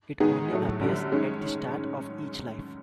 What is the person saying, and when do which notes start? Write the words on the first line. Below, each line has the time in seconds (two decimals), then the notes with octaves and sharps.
It only appears at the start of each life.
0.20 D#3 G#3 B3 D#4 G#4
0.50 A2 F#3 A3
0.81 F#2 D3 G3
1.12 D#3 G#3 C#4